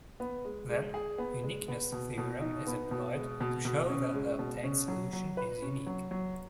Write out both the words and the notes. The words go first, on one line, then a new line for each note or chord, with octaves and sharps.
Then, uniqueness theorem is employed to show that the obtained solution is unique.
B3
G#3
G#3
G#4
B3
G#3
B3
B2
B2
D#4
B3
B2
G#3
B2
B2
C#4
G#3
B2
C#4
F#3
F#3
B4
C#4
F#3
F#3